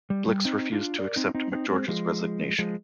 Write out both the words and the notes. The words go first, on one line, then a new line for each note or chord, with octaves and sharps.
Blix refused to accept McGeorge's resignation.
G3
G3
C4 D#4
D4 F4
A#4 D5
C4 D#4
C4 D#4
C4 D#4
G#3 C4
F3 G#3
F3 G#3